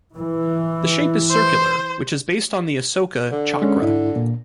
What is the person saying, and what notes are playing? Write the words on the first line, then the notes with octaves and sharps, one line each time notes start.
The shape is circular, which is based on the Ashoka Chakra.
E3
C5
D3
G#3 C#4
G#2 E4
A#2